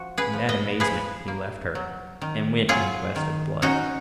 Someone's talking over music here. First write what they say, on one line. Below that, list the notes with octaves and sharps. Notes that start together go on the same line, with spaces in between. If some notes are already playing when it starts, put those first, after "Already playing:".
In that amazement he left her, and went in quest of Blood.
Already playing: F3 F#4
G#4 B4
F3
B4 D#5
F3 G#4 B4
A#3
F#3
D#3
F#3 F4 G#4
D#3
C#4 D#4 F#4